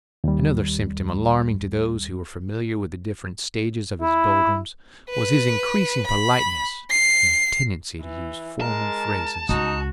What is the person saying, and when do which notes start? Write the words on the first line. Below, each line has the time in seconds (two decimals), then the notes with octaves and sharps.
Another symptom alarming to those who were familiar with the different stages of his doldrums was his increasing politeness and a tendency to use formal phrases.
0.24 D#2 G3
4.02 E4
5.10 B4
6.07 B5
6.90 C7
8.02 E3
8.61 G#3 A#4 A5
9.49 C#2 D#4 F#4